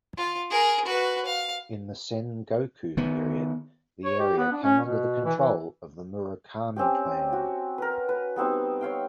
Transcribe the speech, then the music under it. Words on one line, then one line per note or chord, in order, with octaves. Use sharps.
In the Sengoku period, the area came under the control of the Murakami clan.
F4
G#4 A#4
F#4 B4
F5
D#3 B3
C#5
G4
B3
D4
C#4
B2
E3
E3
C4 C#4 G4
F#4
A#4 B4
B4
G3 B3 C4 D#4
C#5 F5 G5